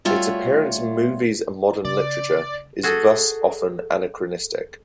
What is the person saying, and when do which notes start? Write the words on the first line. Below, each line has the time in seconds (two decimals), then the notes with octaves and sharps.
Its appearance in movies and modern literature is thus often anachronistic.
0.05 G3 A3 F4 F#4 C#5 E5
1.85 C#3 D5
2.83 F#4 G#4 A4